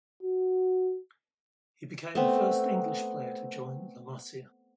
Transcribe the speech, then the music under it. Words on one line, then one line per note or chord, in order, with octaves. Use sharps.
He became the first English player to join La Masia.
F#4
A3 B3 C4